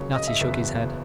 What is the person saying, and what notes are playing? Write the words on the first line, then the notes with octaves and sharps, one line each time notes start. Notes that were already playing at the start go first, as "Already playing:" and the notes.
Natty shook his head.
Already playing: C#2 C#3 F#3 A#3 C#5
D#5
E5
F#1 E2 C#3 F#3 B3